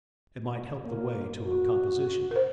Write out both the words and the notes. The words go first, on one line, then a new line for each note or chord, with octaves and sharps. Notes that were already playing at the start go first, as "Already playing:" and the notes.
"It might help the way to a composition."
A#3
F#4
A#4 C5